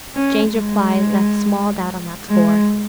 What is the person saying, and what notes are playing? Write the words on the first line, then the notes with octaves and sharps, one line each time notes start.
Jane's reply left small doubt on that score.
C#4
G#3
G#3